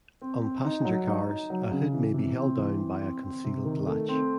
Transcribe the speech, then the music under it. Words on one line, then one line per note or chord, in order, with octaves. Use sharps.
On passenger cars, a hood may be held down by a concealed latch.
C4
C4
D#4
F#3
D#4
D#4
F#3
C#3
E3
C3
C4
E3
C4
C4
C4
C3
D#3
A3
C4